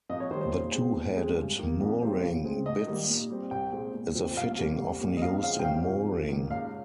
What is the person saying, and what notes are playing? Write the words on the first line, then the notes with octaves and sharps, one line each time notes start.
The two-headed mooring bitts is a fitting often-used in mooring.
F2 D#5
C#5
D#3 G3 C5
C5
A#2
G#3 C4
A#2
G#3 C4
G2
D#3 A#3
F2
C#3 G3 C4
A#2
G#3 C4
G#2 D#5
D#3 G3 A#3
A#2
G3 C4
C2 G5
A#2 G#3 C4
A#2
F3 C4
C2 F5
C3 G3 A#3
C2
A#2 G3 A#3
D#5
F2 F5
C#3 G#3 C4 F5
G5
C2 F5
C3 F3
D#2
D#3 A#3
C#2 F5